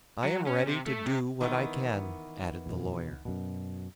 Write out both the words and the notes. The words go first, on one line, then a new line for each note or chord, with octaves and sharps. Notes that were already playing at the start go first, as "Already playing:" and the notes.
"I am ready to do what I can," added the lawyer.
F#3
C#4
C3
A3
C3
D#3 E3 B3
E2 B2
F#2 B2